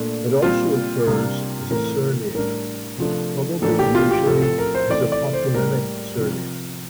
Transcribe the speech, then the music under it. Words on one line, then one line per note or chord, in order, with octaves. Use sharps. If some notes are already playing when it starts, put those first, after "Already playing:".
It also occurs as a surname, probably usually as a patronymic surname.
Already playing: A#2 A3 D4
A#2 G3 C4 F4
C3 G3 A#3 D4
A2 E3 A3 C4 A#4
A2 G3 D4 A#4
C3 F3 A3 D4
A2 E3 A#3 D4 A4
G4
F4
G4
A2 F3 A3 C4 A4
A4
A#4
C5
E3 A3 C4 D5
D5
C5
C5
A2 G3 A#3 A#4
C3 F3 C4